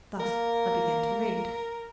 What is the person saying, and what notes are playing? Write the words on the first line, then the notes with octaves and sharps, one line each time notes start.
Thus I began to read.
A#3 A#4